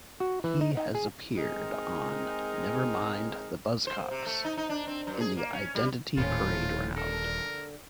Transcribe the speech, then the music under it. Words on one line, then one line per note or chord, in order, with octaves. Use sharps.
He has appeared on "Never Mind the Buzzcocks" in the identity parade round.
F#4
E3
D#4
D#4
G#4
G#3 C4 D#4 G#4 A#4
C5
C3
A3
D#4
D#4
D4
C4
F#2
G#4
A#3
C#4
G3
D#1 A2 F3 C#4 F4
D3 A4 A#4